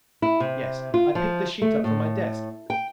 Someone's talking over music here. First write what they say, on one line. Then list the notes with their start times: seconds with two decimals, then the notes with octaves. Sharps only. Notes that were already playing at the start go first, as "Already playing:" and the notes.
"Yes." I picked the sheet up from my desk.
0.22 E4
0.40 C3
0.94 F4
1.15 F3
1.62 A3
1.84 A2
2.70 G5